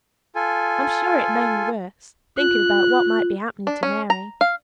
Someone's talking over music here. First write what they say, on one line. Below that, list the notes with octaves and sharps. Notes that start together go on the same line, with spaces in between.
I'm sure it made me worse, thinking about what might be happening to Mary.
F4 A4 G#5
F4 F#6
D4
C#4
A#5
F5